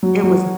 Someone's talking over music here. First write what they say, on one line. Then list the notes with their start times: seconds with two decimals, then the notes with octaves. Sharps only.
it wasn't
0.03 F#3
0.24 F#3